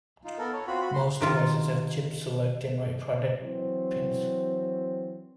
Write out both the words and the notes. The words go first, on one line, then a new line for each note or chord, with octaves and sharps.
Most devices have chip select and write protect pins.
D#4 F4
B3 A4 A#4
C#5
C4 F4 F#4 B5
F#4 B5
B5 C6
C3 D#3 F4
E3 F#3 C4